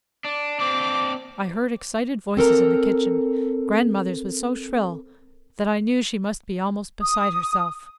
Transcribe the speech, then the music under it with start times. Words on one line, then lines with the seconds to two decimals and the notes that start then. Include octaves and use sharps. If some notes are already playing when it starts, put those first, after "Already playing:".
I heard excited voices in the kitchen--grandmother's was so shrill that I knew she must be almost beside herself.
0.25 D4
0.59 C4 D4 D6
2.37 C4 A4 A#4 A#5
7.02 D#6